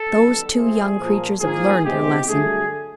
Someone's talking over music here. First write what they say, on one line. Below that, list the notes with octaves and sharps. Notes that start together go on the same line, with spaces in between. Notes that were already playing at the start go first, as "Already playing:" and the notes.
Those two young creatures have learned their lesson.
Already playing: A4
F#2 D#3 G3 B3
A2 F3 A3 C4 G#4
A#2 F3 A#3
G#2 F3 A#3 G#4
E2 C3 E3 G#3 G4
G2 D3 F#3 A3 G#4